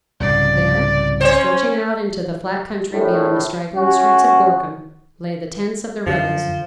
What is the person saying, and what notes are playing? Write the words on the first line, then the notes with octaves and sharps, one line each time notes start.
There, stretching out into the flat country beyond the straggling streets of Gorkum, lay the tents of the rebels.
C2 G#2 C#3 D5
C#4 C5 C#5
A#1 A2
C#4 F#4
F#2 D3 F3